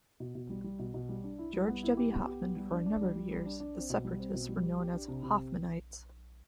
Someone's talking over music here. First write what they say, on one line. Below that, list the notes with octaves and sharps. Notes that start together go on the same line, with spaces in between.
George W. Hoffman, for a number of years the separatists were known as "Hoffmanites".
B2
B2
G3
G3
B2
B2
G3
D4
E4
G3
B3
E4
G4
B3
G4
B3
G3
D4
D4
G3
G3
G3
D4
D4
C4
B2
G3
C4
B2
G3
G4
G4
D4
C3
C3